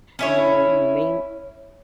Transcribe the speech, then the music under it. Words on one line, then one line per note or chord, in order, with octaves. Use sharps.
And, you know, you may
C#4 E4 C#5